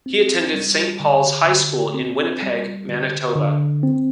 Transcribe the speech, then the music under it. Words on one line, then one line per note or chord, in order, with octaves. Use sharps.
He attended Saint Paul's High School in Winnipeg, Manitoba.
C4
G3
D3
D3
C4
G3
D3
D3
C4